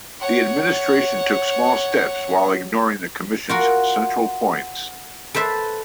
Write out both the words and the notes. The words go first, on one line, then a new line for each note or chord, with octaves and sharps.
The administration took small steps while ignoring the commission's central points.
C#5 F#5
F4 F#4 A#4
A4 B4 C5 E5